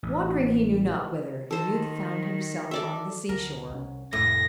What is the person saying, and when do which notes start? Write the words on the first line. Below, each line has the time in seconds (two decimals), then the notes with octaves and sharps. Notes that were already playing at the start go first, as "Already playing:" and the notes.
Wandering he knew not whither, the youth found himself on the sea-shore.
0.03 A1
1.51 D#3 A4 C5
2.71 A4 D5 E5
3.29 D2 A#4
3.70 C2 C#4
4.13 C2 F2 A2 A#6